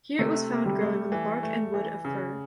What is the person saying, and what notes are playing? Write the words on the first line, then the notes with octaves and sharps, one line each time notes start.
Here it was found growing on the bark and wood of fir.
C3 A3
C3
G3
A3
E3
A3
E3
C#3